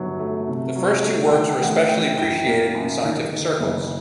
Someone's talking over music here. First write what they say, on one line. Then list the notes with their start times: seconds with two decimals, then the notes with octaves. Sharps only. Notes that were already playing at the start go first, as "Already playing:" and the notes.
The first two works were especially appreciated in scientific circles.
Already playing: G1 F#3
0.19 A3
0.48 C3
0.75 F#3
1.04 A3
1.32 D#3 G5
1.60 A1 F#5
1.89 A1 G5
2.18 F#2 G5
2.46 A#3
2.74 F#2
3.03 D#3
3.32 D#3
3.60 F#1